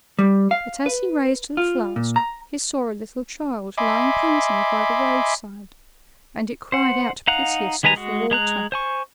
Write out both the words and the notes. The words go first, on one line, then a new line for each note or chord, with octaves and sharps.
But as he raised the flask he saw a little child lying panting by the roadside, and it cried out piteously for water.
G3
F5
B4
F4
A#2
A#5
D#5 E5 G#5 B5 C6 D6
C5 F#5
D#4 F5 F#5 A#5 F#6
D#3 G#3 B4 G#5 A#5
G#3 F#4
G#3 A#5 F#6
C5 G#5 C#6